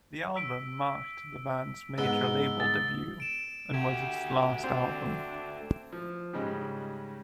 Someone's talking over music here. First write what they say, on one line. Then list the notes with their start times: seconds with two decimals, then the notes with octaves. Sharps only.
The album marked the band's major label debut, and was its last album.
0.36 E6 B6 D7
1.98 G#2 B3 E6 G7
2.59 D#6 A6
3.20 D7 E7
3.74 A3 F#4 G4 G#6
4.64 C4 D4
5.93 F3
6.33 G#2 C#3 G3 G#3